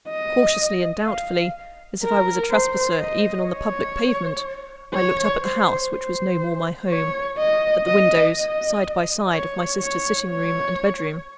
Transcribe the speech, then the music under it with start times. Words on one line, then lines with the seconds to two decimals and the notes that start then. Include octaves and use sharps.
Cautiously and doubtfully, as if I was a trespasser even on the public pavement, I looked up at the house which was no more my home--at the windows, side by side, of my sister's sitting-room and bed-room.
0.09 D#5
1.06 F5
2.03 A#4
2.51 C5
3.00 D#5
3.48 C#5
4.94 C#5
5.43 C5
5.92 C5
6.89 C#5
7.38 D#5
7.86 D#5
8.35 D#5
9.33 C#5
9.80 C#5
10.29 C#5